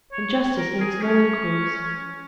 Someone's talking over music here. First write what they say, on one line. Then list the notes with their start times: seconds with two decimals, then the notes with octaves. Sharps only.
And justice makes no inquiries.
0.12 C#5
0.57 A#4
0.80 G#4
1.02 C#4